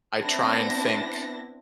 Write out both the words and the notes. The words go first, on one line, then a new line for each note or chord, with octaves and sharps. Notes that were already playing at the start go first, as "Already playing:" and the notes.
I try and think,
B3 C4 D4 E4 A#6